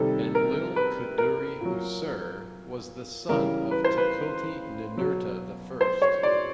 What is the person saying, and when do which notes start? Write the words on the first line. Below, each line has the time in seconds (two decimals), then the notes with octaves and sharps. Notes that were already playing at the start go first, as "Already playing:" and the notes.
Enlil-kudurri-usur was the son of Tukulti-Ninurta the First.
Already playing: C3 D#3 G3 A4
0.35 A#4
0.76 B4
1.18 A#4
1.61 A#2 F#3
3.29 C#3 E3 G3 A#4
3.71 B4
3.84 C5
3.98 B4
4.97 B2 F#3
5.81 C5
6.02 C#5
6.23 D5